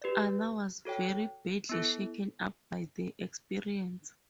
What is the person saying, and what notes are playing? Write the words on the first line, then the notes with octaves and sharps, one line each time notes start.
Anna was very badly shaken up by the experience.
G4 B4 D5
F#4 A4 C#5 G5
B3 E4 A4